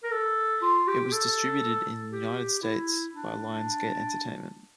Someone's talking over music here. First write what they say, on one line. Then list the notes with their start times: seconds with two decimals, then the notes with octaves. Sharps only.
It was distributed in the United States by Lions Gate Entertainment.
0.04 A#4
0.12 A4
0.62 F4
0.87 G4
1.13 A4
2.13 G4
2.63 E4
3.13 D4